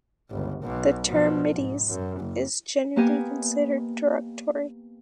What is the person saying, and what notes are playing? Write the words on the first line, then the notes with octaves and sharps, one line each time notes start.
The term "middies" is generally considered derogatory.
G1 C#2
B1 B2
B2 F3
G#2
F#2
F#1
A#3 B3 G4 D#5 G#5